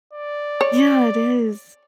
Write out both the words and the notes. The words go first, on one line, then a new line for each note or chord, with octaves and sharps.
Yeah, it is.
D5
C#5